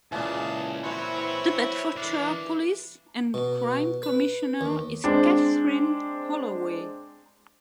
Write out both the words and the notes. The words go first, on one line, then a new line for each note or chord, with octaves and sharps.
The Bedfordshire Police and Crime Commissioner is Kathryn Holloway.
C#2 A#2 E3 G#4 A5
C4 E4 F#4 C#5 F#5
B4
E3 D4 F5
B2
B4
D#2
G#3 C4 D4